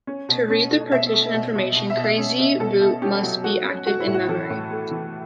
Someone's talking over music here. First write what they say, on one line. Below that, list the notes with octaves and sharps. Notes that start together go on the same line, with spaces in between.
To read the partition information, Crazy Boot must be active in memory.
C#4
B2
C#4
A3
B2 E5
A3
B2
B2
B2
E5
B2
E5
C#4
B2
B2 A4
B2
C#4 G4
F#3
A3 F#4
C#4
A3 F#4
E4
A2
F#4
E3 A4
A2
A3
E3